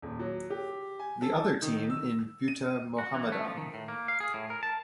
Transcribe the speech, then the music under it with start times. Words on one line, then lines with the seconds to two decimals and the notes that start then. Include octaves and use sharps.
The other team in Bhutta Mohammadan.
0.02 D#1
0.19 F#3
0.50 G4
1.00 G#5
1.22 A4
1.62 D#3
1.90 E6
2.48 D#7
2.98 F#4
3.14 E3
3.32 A3
3.45 F3
3.57 D#3
3.74 A2
3.88 A#3
4.08 F5
4.20 G#4
4.34 A2
4.50 A#4
4.63 A5